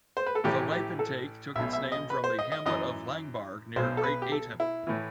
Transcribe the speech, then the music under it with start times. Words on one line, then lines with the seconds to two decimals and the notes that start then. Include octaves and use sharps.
The wapentake took its name from the hamlet of Langbaurgh, near Great Ayton.
0.17 C5
0.26 B4
0.35 A4
0.44 A1 A2 E3 G4
0.72 G4
0.99 A4
1.55 B1 B2 E5
1.73 E5
1.92 D#5
2.10 B4
2.24 C5
2.39 D#5
2.52 D#5
2.65 F#2 E3 D#5
3.76 B1 B2 C5
3.97 A4
4.04 B4
4.22 G4
4.32 A4
4.60 E4
4.87 A2 E3